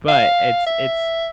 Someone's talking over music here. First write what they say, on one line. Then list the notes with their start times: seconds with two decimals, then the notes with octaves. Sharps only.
but it's it's,
0.08 F5
0.67 E5